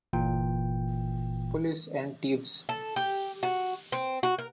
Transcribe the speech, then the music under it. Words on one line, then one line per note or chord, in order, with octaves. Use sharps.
"Police and Thieves".
G1 A#2 E3 G5
A4
G4
F#4
C4
F#4
A#4